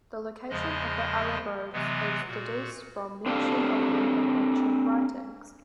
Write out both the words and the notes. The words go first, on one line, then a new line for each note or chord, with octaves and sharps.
The location of the Allobroges is deduced from mention of them in ancient writings.
E2 C#3 F3 G#3 D#5
C3 E3 F#3 G#3 B3
A#2 F#4
C4 D4 G4 A4 F5